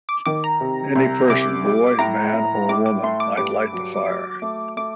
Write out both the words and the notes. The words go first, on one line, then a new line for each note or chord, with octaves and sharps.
Any person, boy, man, or woman, might light the fire.
D6
D#3 D6
A#5
C3
C2
C2 D6
G3
A2 A#5
A2
A2 D6
D6
A3 C6
D6
G2 D6
F#3
F#3
A3
A3 D6